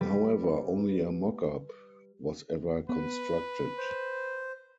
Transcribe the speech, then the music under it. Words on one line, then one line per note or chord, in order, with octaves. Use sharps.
However, only a mockup was ever constructed.
G3 B4
B3 B4
C5